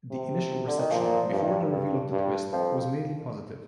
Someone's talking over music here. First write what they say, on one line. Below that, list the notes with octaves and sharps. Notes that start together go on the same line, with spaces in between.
The initial reception before the reveal of the twist was mainly positive.
C3
D3
D#3
A#2 F3
G2
G2
G2
F2 F3